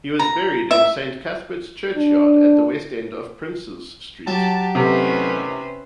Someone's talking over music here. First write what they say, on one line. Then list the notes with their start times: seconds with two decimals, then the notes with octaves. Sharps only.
He was buried in Saint Cuthbert's Churchyard at the west end of Princes Street.
0.19 A#5
0.71 E5
1.95 D4
4.27 F#3 G4 A5
4.75 C3 D#3 E3 A3 C#4 B4 C5